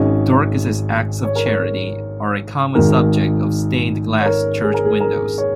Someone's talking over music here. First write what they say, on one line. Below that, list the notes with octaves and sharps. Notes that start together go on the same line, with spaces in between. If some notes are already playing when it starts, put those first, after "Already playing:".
Dorcas' acts of charity are a common subject of stained glass church windows.
Already playing: G#1 G#2 G#3 C#4 D#5
C#5
A#4
C#5
G#1 G#2 D#3 A#4
C#5
A#4
G#4
A#4
G#4
A#4
C#5